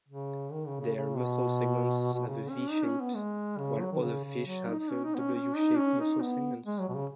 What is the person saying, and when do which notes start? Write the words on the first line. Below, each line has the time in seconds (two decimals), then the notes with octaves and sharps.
Their muscle segments have a "V-shape", while other fish have "W-shaped" muscle segments.
0.09 C#3
0.52 D#3
0.67 C#3
0.81 C#3
0.96 C#3
1.18 B2
2.14 B2
2.27 C#3
2.49 C#4
2.71 D#4
2.85 C#4
3.01 B3
3.15 G#3
3.58 C#3
3.80 F#3
3.93 D#3
4.03 C#3
4.24 C#3
4.46 F#3
4.68 D#4
4.79 D#4
4.90 C#4
5.04 D#4
5.15 B3
5.20 C#4
5.34 C#4
5.56 D#4
5.77 C#4
6.00 D#4
6.21 B3
6.66 G#3
6.80 F#3
6.89 B2
6.94 C#3